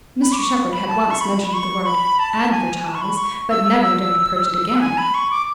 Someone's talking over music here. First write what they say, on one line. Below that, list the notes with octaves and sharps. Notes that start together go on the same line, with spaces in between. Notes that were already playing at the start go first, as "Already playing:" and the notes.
Mr Shepherd had once mentioned the word "advertise," but never dared approach it again.
B5
D6
C#6
B5
A5
C#6
B5
B5
C#6
B5
A5
G#5
A5
C#6
B5
C#6
E6
E6
F#5
G#5
B5
C#6
D6